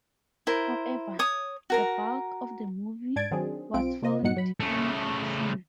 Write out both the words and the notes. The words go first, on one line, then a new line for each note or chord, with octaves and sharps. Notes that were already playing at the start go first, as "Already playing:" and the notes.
However, the bulk of the movie was filmed in Hudson.
E4 A#4 C5
C#5 D#6
F#4 A#4 A#5
G#2 D4 G#6 A6 D7
D#3 F#3 C4 D4 G#4
B1 C4 F4 D7
C3 A#3 F4 C5 D#5
G2 A#2 F#3 D#4 F#5 C#7
F#3 B5
C#3 A3